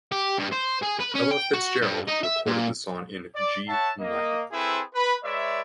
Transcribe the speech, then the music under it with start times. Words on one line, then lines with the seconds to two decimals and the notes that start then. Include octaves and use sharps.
Ella Fitzgerald recorded the song in G Minor.
0.12 G4
0.38 G2
0.52 C5
0.82 G#4
0.99 B4
1.14 C#4
1.31 G5
1.54 F#4
1.82 G2
2.08 D#4
2.23 E5
2.46 A#2
3.34 D5
3.68 C#5 E5 F#5 A5
3.99 A#3 D#5
4.51 C4 E4 G#4 A4 B4 C5
4.94 B4 B5
5.22 G#3 B4 C#5 D5 E5